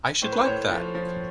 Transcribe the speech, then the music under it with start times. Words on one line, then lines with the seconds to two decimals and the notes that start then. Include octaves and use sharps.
I should like that!
0.22 A2 C5
0.32 B4
0.39 C5
0.46 A2 C#5
0.70 F3
0.95 F3